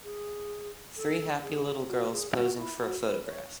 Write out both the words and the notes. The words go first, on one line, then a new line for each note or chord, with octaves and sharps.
Three happy little girls posing for a photograph.
G#4
A4
G#4
F#4
G#4
F#4
E4
F#4
B4
C#5